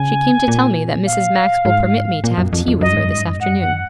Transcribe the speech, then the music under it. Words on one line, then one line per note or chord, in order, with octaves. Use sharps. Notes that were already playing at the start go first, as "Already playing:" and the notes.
She came to tell me that Mrs. Max will permit me to have tea with her this afternoon.'
Already playing: C#3 G#5
A#2
F5
G#2
A#2
F#2
F2
F2
F#2 D#5
G#2
F#2
G#2
F#2
G#2 F#5
F#2
F#5